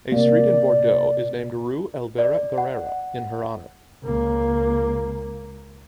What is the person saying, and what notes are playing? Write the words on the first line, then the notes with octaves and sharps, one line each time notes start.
A street in Bordeaux is named Rue Elvira Guerra in her honour.
C3 A#3 D5
D5
F#5
C#2 A#3